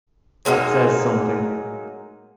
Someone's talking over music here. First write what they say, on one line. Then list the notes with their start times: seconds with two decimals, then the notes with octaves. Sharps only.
That says something.
0.45 F#3 G#3 A#3 D#4